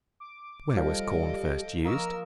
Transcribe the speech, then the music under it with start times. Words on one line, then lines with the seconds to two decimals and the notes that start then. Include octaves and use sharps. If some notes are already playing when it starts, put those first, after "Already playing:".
Where was Corn first used?
0.20 D6
0.76 F3 G3 A4 D#5 F5 D6
1.85 F3 A#3 A#4 D#5 A#5 C#6 E6